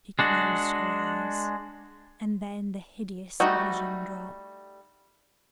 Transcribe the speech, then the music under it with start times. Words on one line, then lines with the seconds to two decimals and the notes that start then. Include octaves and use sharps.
But she closed her eyes, and then the hideous vision dropped.
0.19 G#3 D4 F#4
3.40 G3 A3 D#4 F#4